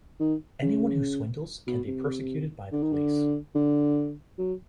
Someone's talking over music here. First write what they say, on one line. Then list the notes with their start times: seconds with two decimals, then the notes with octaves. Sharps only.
Any one who swindles can be persecuted by the police.
0.20 D#3
0.62 C#3
1.67 B2
1.87 C3
2.72 D3
2.82 D#3
2.92 D3
3.55 D3
4.38 F#3